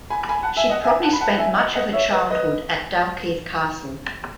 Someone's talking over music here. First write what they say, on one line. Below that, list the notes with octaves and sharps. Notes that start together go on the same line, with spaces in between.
She probably spent much of her childhood at Dalkeith Castle.
G#5 B5
G#5 B5
F#5 A5
E5 G#5
D#5 F#5
E5 G#5
F#5 A5
B5
F#5 A5
F#5
E5 G#5
D#5 F#5
D#5 F#5
C#5 E5
B4 D#5
B4 D#5